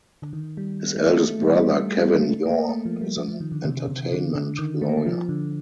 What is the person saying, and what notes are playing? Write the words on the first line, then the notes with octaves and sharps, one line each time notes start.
His eldest brother Kevin Yorn is an entertainment lawyer.
D3
D#3
G3
A3
A3
A3
G3
G3
A3
G3
A3
A#3
A3
F3
G3
F3
F3
D#3
D3
C3
C3
D3
D3
D#3
A3
A#3
A3
F3
D3